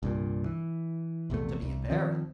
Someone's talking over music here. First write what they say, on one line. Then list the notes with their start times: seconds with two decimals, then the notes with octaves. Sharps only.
"To be a baron."
0.03 C2 G2 A#2
0.46 E3
1.30 A#1 E2 C3 A3
1.62 C2
1.90 D#3 F3 C4